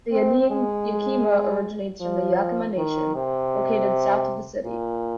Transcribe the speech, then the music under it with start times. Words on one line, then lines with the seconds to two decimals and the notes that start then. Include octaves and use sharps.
The name Yakima originates from the Yakama Nation, located south of the city.
0.12 C4
0.50 G#3
2.01 F3
2.77 D#3
3.15 C3
4.65 A#2